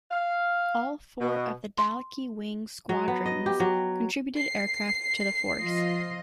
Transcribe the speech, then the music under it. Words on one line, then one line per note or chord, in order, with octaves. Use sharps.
All four of the Dallachy Wing's squadrons contributed aircraft to the force.
F5
B2
C6
F#3
B3
D#5
G4
F#3
C7
F3 F4 D#5